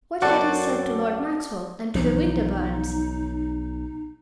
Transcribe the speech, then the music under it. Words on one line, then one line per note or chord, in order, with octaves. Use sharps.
What had he said to Lord Maxwell?--and to the Winterbournes?
F#2 C4 F#4 A4 D5 F#5
B1 E3 F3 D#4